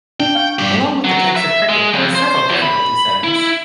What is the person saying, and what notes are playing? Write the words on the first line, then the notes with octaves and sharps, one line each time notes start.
Along with the types of cricket there are several difficulty settings.
D4 G5
F5 C#6 G6
G2 G4
F#3
E5
G#3
F2
C5
E2
B5
E4